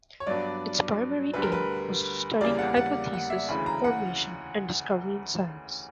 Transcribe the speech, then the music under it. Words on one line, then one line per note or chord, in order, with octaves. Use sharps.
Its primary aim was to study hypothesis formation and discovery in science.
C#5
G2 F#3 B3 D4 D5
D2 D3 G3 B4
A#4
B4
E2 C#3 G3 A#3 D5
F#5
F#5
F#5
E5
D2 C#3 E3 B5
A#5
F#5